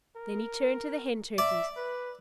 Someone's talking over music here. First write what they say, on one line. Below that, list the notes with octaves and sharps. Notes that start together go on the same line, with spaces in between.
Then he turned to the Hen Turkeys.
A#4
D5 E5
B4